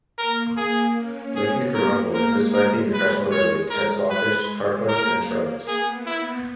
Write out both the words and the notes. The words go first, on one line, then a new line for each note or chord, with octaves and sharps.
Lake Nicaragua, despite being a freshwater lake, has sawfish, tarpon, and sharks.
A#3 A#4
G#4
C#4
B3 G#4
A#3 A#4
G#3 A#4
G#3 A#4
G#3 B4
G#3 C#5
G#3 A#4
B4
A#3 A#4
B3 G#4
E4